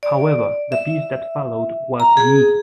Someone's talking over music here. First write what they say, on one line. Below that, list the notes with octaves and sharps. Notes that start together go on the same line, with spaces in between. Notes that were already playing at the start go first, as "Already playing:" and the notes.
However, the peace that followed was uneasy.
D5
E5
A#5
G#4